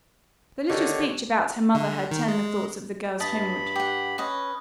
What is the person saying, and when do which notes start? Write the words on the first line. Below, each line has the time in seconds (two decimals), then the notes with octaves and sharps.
The little speech about her mother had turned the thoughts of the girls homeward.
0.70 D3 D#3 G4 C#5
1.75 D3
2.11 D#3
2.28 G#3
3.20 G2 D#5 A5 B5
3.76 G4 F#5
4.18 C#4 B4 D#5